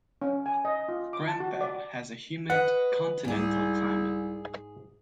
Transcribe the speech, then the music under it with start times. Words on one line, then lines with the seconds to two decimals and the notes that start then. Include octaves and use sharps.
Grenfell has a humid continental climate.
0.22 C#4
0.46 G#5
0.65 D#5
0.88 F4
1.13 D6
1.28 A5
1.40 F#4
1.61 D5
2.50 B4 D#5 F#5
3.25 C2 G#2 G#4